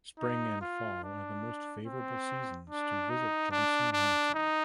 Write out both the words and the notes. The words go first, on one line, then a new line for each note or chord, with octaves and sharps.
Spring and fall are the most favorable seasons to visit Johnson Mountain.
D#4
F4
D4
C4
D4
D#4
D4
D4
D#4